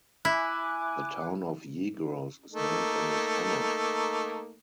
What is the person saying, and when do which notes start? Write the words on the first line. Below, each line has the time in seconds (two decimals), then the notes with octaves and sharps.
The town of Yegros is named in his honor.
0.25 E4 G#5 D6 F#6
2.52 A3 A#3 D#4